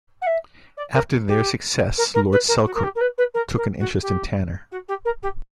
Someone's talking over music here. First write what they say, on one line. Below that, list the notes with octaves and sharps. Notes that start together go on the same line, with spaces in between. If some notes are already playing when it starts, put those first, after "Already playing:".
After their success, Lord Selkirk took an interest in Tanner.
F#5
E5
D5
A#4
G4
A#4
A#4
B4
A#4
F#4
A#4
G4
A#4
B4
B4
A#4
A#4
F#4
G4
F#4
G4
A#4
G4